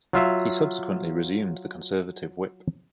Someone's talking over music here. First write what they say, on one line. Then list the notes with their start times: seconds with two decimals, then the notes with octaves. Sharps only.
He subsequently resumed the Conservative Whip.
0.13 F#3 F4 E5 F5